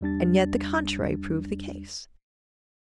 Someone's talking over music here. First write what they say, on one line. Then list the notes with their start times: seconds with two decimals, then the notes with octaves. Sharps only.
And yet the contrary proved the case.
0.01 E2 G3 D4 A6